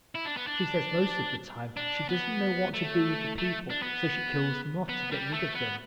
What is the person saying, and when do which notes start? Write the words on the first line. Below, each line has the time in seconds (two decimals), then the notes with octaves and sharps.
She says most of the time she doesn't know what to do with the people so she kills them off to get rid of them.
0.15 E4
0.25 D4
0.37 B3
0.47 D4
1.77 D4
2.09 B3
2.74 A3
3.38 A3
3.70 D4
3.82 B3
4.89 B3
5.11 G3
5.33 A3
5.55 B3